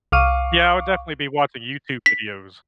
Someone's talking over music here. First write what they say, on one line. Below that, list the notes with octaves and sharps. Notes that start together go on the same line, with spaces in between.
Yeah, I would definitely be watching YouTube videos.
C2 F5 C#6 D6 F6 D#7
B6